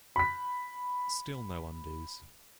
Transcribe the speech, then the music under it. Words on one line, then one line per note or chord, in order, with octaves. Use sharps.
Still no undos.
B5 B6